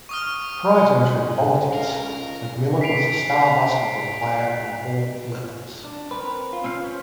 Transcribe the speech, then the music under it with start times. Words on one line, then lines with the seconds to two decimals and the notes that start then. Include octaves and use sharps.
Prior to entering politics, McMillen was a star basketball player on all levels.
0.09 C#6 D#6 F6
1.73 C#2 A#4 D#5 F5
2.81 B6 C7 D7 F7
5.84 D4
6.11 C4 A#4 B4
6.53 F4
6.64 C4 C#4 F5
6.83 C5 C#5 B5